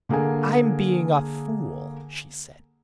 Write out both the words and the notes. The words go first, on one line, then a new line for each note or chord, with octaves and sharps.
"I'm being a fool," she said.
D3 A#3 G#4 A4 G#5